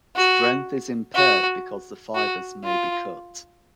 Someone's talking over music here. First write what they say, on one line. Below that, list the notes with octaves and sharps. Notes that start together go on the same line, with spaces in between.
Strength is impaired because the fibres may be cut.
F#4
F#4
F#4
F4